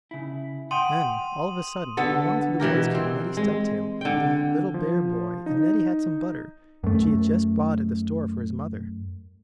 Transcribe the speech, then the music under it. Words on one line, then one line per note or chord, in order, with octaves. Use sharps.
Then, all of a sudden, along through the woods came Neddie Stubtail, the little bear-boy, and Neddie had some butter, which he had just bought at the store for his mother.
C#3 E4
F#5 G5 C6 D#6 D#7 F#7
D3 B3 A4
B2 E3 G4 A#4
C4
G#3
D3 G5
F3
D#4
F#2 A3